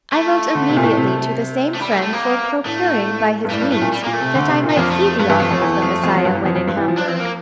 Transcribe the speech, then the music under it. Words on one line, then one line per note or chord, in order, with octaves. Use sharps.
I wrote immediately to the same friend, for procuring, by his means, that I might see the author of the 'Messiah' when in Hamburg.
A3
D3
C3
A#2
A2
C3
A3
G3
A3
A3
A#3
A2 A3
G2
A2 G3
G2
A2 A3
A#2
G3
A#2 A#3
A3
C3
D3
C3
A#2
A3
F2 A#3
A3
A3
G2 A3
G2
F2 A3
F2
E2
F2
F2
F2
G2
E2
F2
F2
G2
E3
F3
D4
C4
A#3